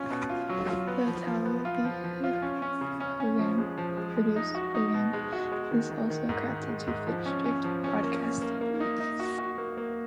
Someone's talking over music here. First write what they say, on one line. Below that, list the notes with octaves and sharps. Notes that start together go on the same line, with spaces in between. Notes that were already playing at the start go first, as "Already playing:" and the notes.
The Televisa produced programming is also crafted to fit strict broadcast standards.
Already playing: C#4 F4
B2
F4
F#3
F4
B3
F3
F3
B3
F4
F3
F3
F4
C#4
C#4
C#3
C#4
C#4
F3
G#3
F3
G#3
G#3
D#4
F#4
D#4
B2
G#3
F#4
G#3
D#3
D#3
D#3
G#2
D#3
G#3
G#2
F3
C#4
C#4
F3
C#4
A#3
C#4
A#3
A#3
D#4
D#4
F#4
F#4
A#3
A#3